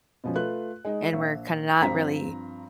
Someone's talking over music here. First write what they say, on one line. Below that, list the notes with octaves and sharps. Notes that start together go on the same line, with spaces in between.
and we're kinda not really
B2 F3 C#4
A3 F4 B4 F#6
G#3 D#4 D#5
A#1 E5
G2 F3 C4 A#5 B6